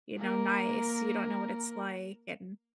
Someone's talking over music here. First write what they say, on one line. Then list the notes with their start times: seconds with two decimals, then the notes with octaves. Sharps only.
you know, nice. You don't know what it's like." And
0.17 A#3 A#4